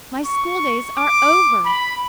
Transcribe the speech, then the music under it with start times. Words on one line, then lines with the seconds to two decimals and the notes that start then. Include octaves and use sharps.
My school-days are over!
0.25 C#6
0.96 D6
1.65 B5